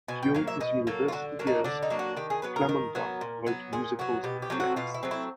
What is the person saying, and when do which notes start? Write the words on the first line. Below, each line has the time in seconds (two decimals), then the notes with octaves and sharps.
During his university years, Plamondon wrote musicals and plays.
0.08 B2 G#5
0.23 G5
0.35 F#3 A#3 F5
0.47 E5
0.60 B2 D#5
0.87 F#3 A#3 A4
1.08 F4
1.13 D3 F#4
1.39 F#3 A#3 D4
1.47 D#4
1.64 D3 D4
1.83 D#4
1.90 F#3 A#3 D4
1.99 F#4
2.17 D#3 G4
2.30 G#4
2.42 F#3 B3 B4
2.56 A#4
2.69 D#3
2.95 F#3 B3
3.21 A#2
3.47 F#3 B3
3.73 A#2 G#4
3.99 F#3 B3 F#4
4.24 B2 G4
4.42 G4
4.50 F#3 A3 C4
4.60 F#4
4.76 B2 F4
4.94 E4
5.03 F#3 A3 C4
5.11 E4